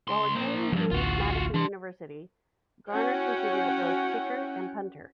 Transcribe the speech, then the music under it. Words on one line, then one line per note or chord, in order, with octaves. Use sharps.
While attending James Madison University, Garner competed at both, kicker and punter.
C#2 C6
A#3 C5
D2 G2 F3
A1 D2 F4 F#4
E3 D4 C6
C#4 E4 F#4 C#5 F#5 G5